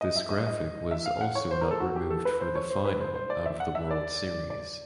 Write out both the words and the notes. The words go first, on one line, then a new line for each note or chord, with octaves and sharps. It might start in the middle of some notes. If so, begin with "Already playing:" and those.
This graphic was also not removed for the final out of the World Series.
D#5
E5
D#5
D#5
E5
F5
F#5
C#5
C5
A#4
A4
F#4
G4
A4
B4
C5
C#5
C5
B4
C5
C5
D5
E5
F#5
E5
D5
D5